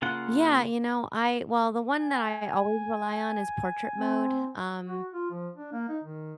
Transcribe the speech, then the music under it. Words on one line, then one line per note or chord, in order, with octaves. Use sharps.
Yeah, you know, I well, the one that I always rely on is portrait mode, um,
C#3 A#3 F4 F#5
G#5
C4
F#4
F4
F3
D4
A#3
D#4
D#3